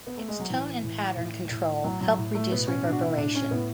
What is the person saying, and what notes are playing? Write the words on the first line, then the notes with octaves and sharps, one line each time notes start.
Its tone and pattern control helped reduce reverberation.
B3
A3
G#3
F#3
A2 E3
A2
A2
A2
A2 F#3
F#3
A2
A3
B2 B3
C#4
B2 D4
F#4
E4
A2 D4
C#4
A2 B3